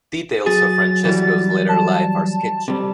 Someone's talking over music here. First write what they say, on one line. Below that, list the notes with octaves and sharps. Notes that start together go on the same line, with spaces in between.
Details of Francesco's later life are sketchy.
F#3 G#4 A6
E3 F#3 G3
A5
C3 G3